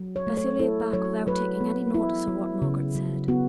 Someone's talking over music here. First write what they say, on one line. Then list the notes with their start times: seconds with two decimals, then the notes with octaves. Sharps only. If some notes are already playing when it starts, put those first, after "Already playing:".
Bessy lay back without taking any notice of what Margaret said.
Already playing: F#3
0.16 C#5
0.27 A3
0.37 C#5
0.59 E4 A4
0.93 F#3 C#5
1.27 F#3 B4
1.60 B3
1.94 E4
2.28 F#3
2.62 C#3
2.95 F#3
3.28 B3 F#4